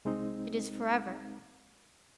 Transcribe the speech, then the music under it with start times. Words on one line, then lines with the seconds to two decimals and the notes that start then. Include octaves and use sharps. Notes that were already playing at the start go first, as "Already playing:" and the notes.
It is for ever.
0.05 C2 G#3 C4 D#4